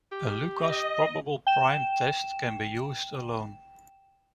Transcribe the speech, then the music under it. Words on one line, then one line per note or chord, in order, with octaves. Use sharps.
A Lucas probable prime test can be used alone.
G4
D#5
G5 E7